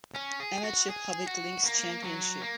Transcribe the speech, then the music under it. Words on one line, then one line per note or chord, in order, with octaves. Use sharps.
Amateur Public Links Championship.
C#4
G#4
F#4
G#4
F#4
A#3
F#3
A#3